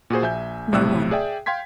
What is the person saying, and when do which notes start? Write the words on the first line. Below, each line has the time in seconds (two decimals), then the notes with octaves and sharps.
"No one."
0.10 A#2 F#4 G#4 C5
0.22 A#1 E5 G#5 G6
0.72 B1 A2 C3 A3 E6 F#6
1.11 G#4 D5 E5 G5
1.46 F5 G5 C6 G#6 B6